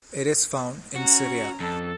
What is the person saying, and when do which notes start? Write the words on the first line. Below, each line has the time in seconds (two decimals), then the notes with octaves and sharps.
It is found in Syria.
0.96 C#4 F#4 A#5
1.60 F2 A4 A5